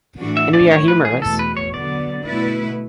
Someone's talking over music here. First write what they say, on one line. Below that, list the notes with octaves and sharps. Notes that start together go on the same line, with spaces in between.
And we are humorous.
A2 E3 A3 D4 F#4
E5
D5
E3 A3 E4 C#5
B4
G#4
E2 B2 A3 A4
B4
C#5
D3 F#3 B3 D5
B2 A3 E4 B4